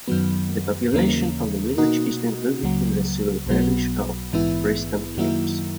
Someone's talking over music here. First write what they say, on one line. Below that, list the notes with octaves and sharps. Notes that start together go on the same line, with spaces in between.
The population of the village is included in the civil parish of Preston Capes.
F#2 D#3 F#3 B3
D#2 C#3 E3 A#3
B2 A#3 D#4 F#4
C#2 C#3 F#3 A#3
B1 B2 F#3 B3
A#1 G#2 E3 B3 E4
F#2 D#3 F#3 A#3 E4